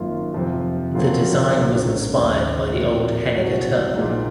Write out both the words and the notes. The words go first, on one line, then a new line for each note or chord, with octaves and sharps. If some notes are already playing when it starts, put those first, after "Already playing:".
The design was inspired by the old Henninger Turm.
Already playing: G#1 F#2 D#3 A#3 F4
F2 C3 F3
F2 C#3 F#3 A#3 F4
A#1 G#2 F#3 A#3 C#4
D#2 C#3 G#3
A#2 F3 C4 F#4 A#4
C2 C3 F#3 C4 F#4
A#1 A#2 G#3 D#4